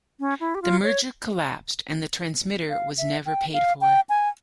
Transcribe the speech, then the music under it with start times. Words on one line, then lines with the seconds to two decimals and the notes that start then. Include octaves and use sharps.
The merger collapsed, and the transmitter was never paid for.
0.20 C#4
0.40 E4
0.55 G4
0.62 F4
0.83 C#5
2.70 F5
2.98 E5
3.26 G5
3.53 F5
3.81 G5
4.09 G#5